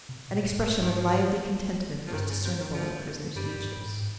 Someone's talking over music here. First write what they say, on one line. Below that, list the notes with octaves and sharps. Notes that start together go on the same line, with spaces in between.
An expression of lively contentment was discernible on the prisoner's features.
C3
A#2
G#2
G#2
D#3
F3
F3
G2 D#3
C#3
C3
D#3
F3
G2 G3
G2
G#2